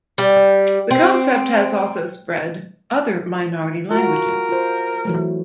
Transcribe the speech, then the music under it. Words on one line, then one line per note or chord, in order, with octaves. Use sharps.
The concept has also spread other minority languages.
G3
C4
F4 F#4 A#4
F4 C5
E3 F#3 A3